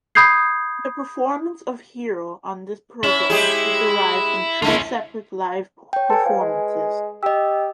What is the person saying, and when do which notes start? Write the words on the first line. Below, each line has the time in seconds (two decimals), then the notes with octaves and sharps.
The performance of "Hero" on this program is derived from three separate live performances.
0.15 B5 D#6 G6 G#6 C7
3.03 C#4 E4
3.30 G#3 G4 G#4
4.62 C#3 G#3 C#4 E4 F4
5.93 C#5 G5
6.10 A4 B4 G#5
6.26 F3
6.40 G#3
7.23 G4 D#5 E6